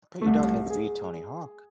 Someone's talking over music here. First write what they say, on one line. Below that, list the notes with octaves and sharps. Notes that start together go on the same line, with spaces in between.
But, you don't need to be Tony Hawk.
C2 A3
G#4